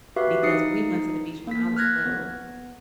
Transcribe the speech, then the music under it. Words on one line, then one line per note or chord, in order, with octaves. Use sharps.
because we went to the beach when I was little,
F#4 G4 B4 E5 F5
D#4 D#6 C7 C#7
A#3 B6
F6 F#6 G#6 A#6
B3